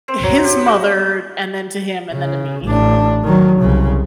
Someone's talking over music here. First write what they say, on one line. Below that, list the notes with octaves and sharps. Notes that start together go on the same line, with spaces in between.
His mother, and then to him and then to me.
C4
F#3
G4
F#4
C#3
A1 D4
D#3 F#3
C2 C#3